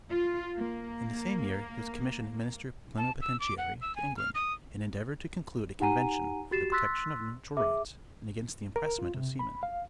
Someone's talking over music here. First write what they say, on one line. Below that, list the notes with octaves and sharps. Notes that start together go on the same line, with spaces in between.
In the same year he was commissioned Minister Plenipotentiary to England, and endeavored to conclude a convention for the protection of neutral rights, and against the impressment of seamen.
F4
A#3
A5
E6
D6
F#5
E6
G#5
F6
D#6
D#4 G4 F#5 G#5 A#5 D#7
F#4 G4 A6 C7 E7
C6 E6 F#6 A6 B6
G#4 E5 D6
A#4
F4
C3
B5
F5